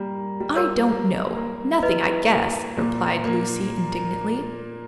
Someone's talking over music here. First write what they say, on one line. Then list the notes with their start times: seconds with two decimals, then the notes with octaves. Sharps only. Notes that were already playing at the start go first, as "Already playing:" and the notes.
"I don't know; nothing I guess," replied Lucy, indignantly.
Already playing: G3 A#3
0.40 G3
0.56 A#4 C#5
0.88 A#3
1.35 A#3
1.83 E4 B4 D#5
2.30 A#3
2.77 A#2
3.25 A#3